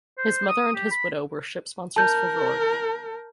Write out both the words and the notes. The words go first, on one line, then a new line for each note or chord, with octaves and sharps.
His mother and his widow were ship sponsors for "Roark".
C5
D#6
G4
B5
A#4 A5 G6